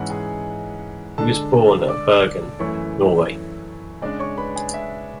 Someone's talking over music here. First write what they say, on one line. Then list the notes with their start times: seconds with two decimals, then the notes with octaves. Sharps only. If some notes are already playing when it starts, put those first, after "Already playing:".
He was born at Bergen, Norway.
Already playing: G#2 E3 G#3 C#4 F#5
0.10 G#4 G#5
1.18 D3 G#3 D4 A4 A5
1.88 D5 D6
2.59 F#2 E3 A3 E4 C#5 C#6
4.02 C#3 G#3 D4 D5 D6
4.19 C#5 C#6
4.38 B4 B5
4.55 G#4 G#5
4.74 E5